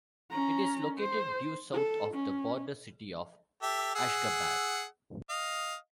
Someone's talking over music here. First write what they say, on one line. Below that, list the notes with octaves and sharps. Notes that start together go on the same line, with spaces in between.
It is located due south of the border city of Ashgabat.
C#4 A#5
C5
A4
C#4
G4 A4 E5
G#4 F#5 E6
D#5 F5